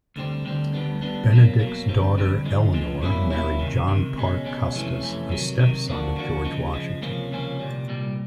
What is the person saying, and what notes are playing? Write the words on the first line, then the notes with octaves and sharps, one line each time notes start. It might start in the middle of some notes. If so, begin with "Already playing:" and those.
Benedict's daughter, Eleanor married John Parke Custis, a step-son of George Washington.
D2 D3 G3 C4
D2 D3 G3 C4
D2 D3 G3 B3 D4
D2 D3 G3 B3 D4
B2 F#3 A#3
B2 F#3 A#3
F2 D3 G3 C4
F2 D3 G3 C4
D2 D3 F3 G#3
D2 D3 F3 G#3
B2 G3 A#3 C#4 E4
B2 G3 A#3 C#4 E4
C#2 C3 D#3
C#2 C3 D#3
C#2 B2 G#3 C#4
C#2 B2 G#3 C#4
F2 C3 E3 A3 C#4
F2 C3 E3 A3 C#4
C3 D#3 F#3
C3 D#3 F#3
D3 F3 A#3 D4 F#4
D3 F3 A#3 D4 F#4
C#3 F3 G#3
C#3 F3 G#3
C#2 C3 F3 A#3 C#4
C#2 C3 F3 A#3 C#4
C2 A#2 G3
C2 A#2 G3